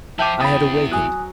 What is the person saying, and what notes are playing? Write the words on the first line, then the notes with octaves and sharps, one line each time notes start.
I had awakened.
F3 E5 G5 A5 D6 G6 D#7
E2 G5 B5 D#6 A6
F#3 G#5 D#6 F#6